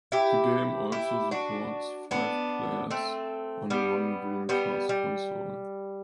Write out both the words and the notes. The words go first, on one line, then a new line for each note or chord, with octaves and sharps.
The game also supports five players on one Dreamcast console.
E4 G4
E4 G4
D4 F#4
B3 D4
A3 C4
G3 B3
G3 B3
G3